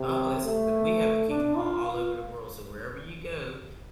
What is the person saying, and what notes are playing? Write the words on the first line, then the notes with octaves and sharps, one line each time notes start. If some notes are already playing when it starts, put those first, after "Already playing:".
Oh, it's the we have a Kingdom Hall all over the world, so wherever you go,
Already playing: C3
A3
D4
F4
F4